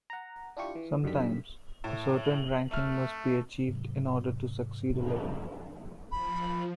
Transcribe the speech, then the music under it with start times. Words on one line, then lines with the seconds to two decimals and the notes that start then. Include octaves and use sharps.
Sometimes, a certain ranking must be achieved in order to succeed a level.
0.10 F#5 A#5
0.57 D4 E4 F4 G4 C#6
0.75 E3
1.04 F#2 D3 D#3 G3 B6
1.84 A2
2.71 A3 E5 F6
3.68 G#2 C3 F#3
6.11 F3 B5